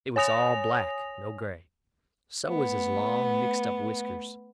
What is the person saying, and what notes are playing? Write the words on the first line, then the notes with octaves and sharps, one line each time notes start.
It was all black, no gray; so was his long, mixed-up whiskers.
C#5 G#5 D#6 A#6 F7
A3 B3